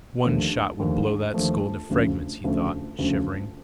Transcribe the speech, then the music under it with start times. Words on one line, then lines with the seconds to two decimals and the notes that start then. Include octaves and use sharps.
One shot would blow that skull into fragments, he thought, shivering.
0.25 D#2 D3 F3 A3
0.80 D#2 D3 F3 A3
1.34 D#2 D3 F3 A3
1.89 D2 C#3 F3 A3
2.44 D2 C#3 F3 A3
2.99 D2 C#3 F3 A3